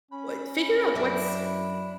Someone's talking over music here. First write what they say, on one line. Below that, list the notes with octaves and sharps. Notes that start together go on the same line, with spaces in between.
what figure out what's
C#4 B5
F#2 D4 E4